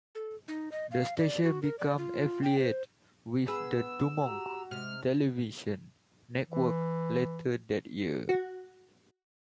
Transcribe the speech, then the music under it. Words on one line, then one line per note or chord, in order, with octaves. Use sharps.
The station became affiliated with the DuMont Television Network later that year.
A4
D#4
D#5
F5
D5
F#4
A#4
D5
F4
G5
C5
B3 G#4 B4 E6
F#4 G4 A#5
C3 G#3 F6
E3
F#4